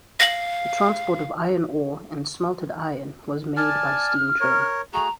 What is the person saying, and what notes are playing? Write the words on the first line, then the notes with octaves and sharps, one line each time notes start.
The transport of iron ore and smelted iron was made by steam train.
F5 A#6 F#7
D5 G#5 A5 F6
A#4 C#5
A3 F#4 G#4 A#5